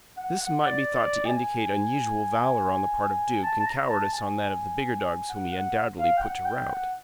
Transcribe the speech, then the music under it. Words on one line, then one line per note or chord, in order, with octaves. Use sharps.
This might be thought to indicate unusual valour on the part of Duke and cowardice on that of the bigger dogs whom he undoubtedly put to rout.
F#5
F#5
D5
D5
G#5
A5
A5
A#5
A5
G#5
F#5
F#5
F5
G5
F#5
G5
F#5